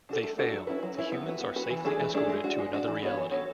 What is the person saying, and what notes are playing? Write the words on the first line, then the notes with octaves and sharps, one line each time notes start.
They fail; the humans are safely escorted to another reality.
D4 F#4 A4
A3
D4 F#4 A4
F#3
C#4 E4 B4
F#3
C#4 E4 B4
B3
F#4 B4
B3
F#4 B4
E3
A3 D4 G#4
E3
A3 D4 G#4
G#3
D4 F#4
G#3
D4 F#4
E3
B3 F#4 A4 C#5
E3
B3 F#4 A4 C#5